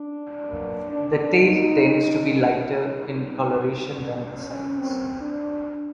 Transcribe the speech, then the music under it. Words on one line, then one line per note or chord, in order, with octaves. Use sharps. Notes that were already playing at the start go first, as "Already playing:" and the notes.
The tail tends to be lighter in coloration than the sides.
Already playing: D4
B2 F#3 A#3
D4
B2 F#3 A#3 D#4
D3 F#3 A#3
D#4
A#2 G3 B3
D3 G3 B3 D4
C#4
B2 F#3 A#3 C4
D4